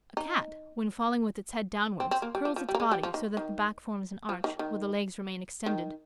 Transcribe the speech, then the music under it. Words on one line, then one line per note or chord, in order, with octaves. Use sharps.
A Cat, when falling with its head downwards, curls its body, so that the back forms an arch, while the legs remain extended.
D#4
C4
C4
A#3
G3
F3
F3
G3
A#3
G#3
G3
F3
D#3
D#3
F3
D#3
D#3
D#3